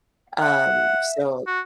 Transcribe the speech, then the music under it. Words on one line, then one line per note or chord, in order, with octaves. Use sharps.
Um, so,
E5 F#5
F#4